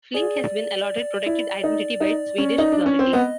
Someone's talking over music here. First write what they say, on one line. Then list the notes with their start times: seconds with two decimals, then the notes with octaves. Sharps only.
Flink has been allotted protected identity by Swedish Authorities.
0.14 G#4 D5
1.26 E4
1.64 D#4
2.00 D#4
2.38 C#4
2.58 D#4
2.72 D4
2.86 C#4
2.99 C4
3.13 B3 D#5